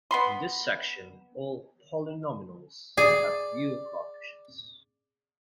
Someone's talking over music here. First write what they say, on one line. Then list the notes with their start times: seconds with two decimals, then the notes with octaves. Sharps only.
In this section, all polynomials have real coefficients.
0.11 B3 B5 C6
2.98 G#4 D5